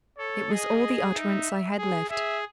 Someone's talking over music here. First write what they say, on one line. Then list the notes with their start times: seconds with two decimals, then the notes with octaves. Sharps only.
It was all the utterance I had left.
0.17 A4 C#5
0.50 G#4 D#5
1.14 D#4 E5
1.78 G#4
2.10 G#4 E5